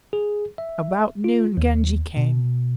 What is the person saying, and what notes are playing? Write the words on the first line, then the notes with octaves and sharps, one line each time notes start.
About noon Genji came.
G#4
E5
F4
D#2
B2